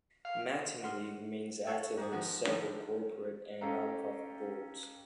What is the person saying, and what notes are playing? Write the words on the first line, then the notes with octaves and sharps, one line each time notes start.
Mattingly remains active on several corporate and nonprofit boards.
F5
F#4 F#5 C6 F6
A4 C#5 F5 F#5
G#2 G#4
D#3 F3 G#3 F#4
D3 D#3 F3 G3 G#3
C#4 G4 A4 D#5 F5 A#5